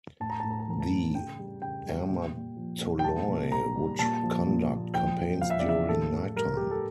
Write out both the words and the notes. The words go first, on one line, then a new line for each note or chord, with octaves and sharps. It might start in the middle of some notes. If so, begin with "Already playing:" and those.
The armatoloi would conduct campaigns during nighttime.
A2 A5
A#5
A2 A5
A#5
A5
E3 A#5
A5
A2
C#3 G5
G3
C#3 G5
G3
A#2
A#2
F3
A#2
G5
G3 A5
A#2
A#2 A#5
G3
A#2 A5
F3
A#2
A#2
F3 G5
F3
F3 F5
E5
D5
C#3 E5
A2 A4
A2
G3 A#4
G3 G4
A4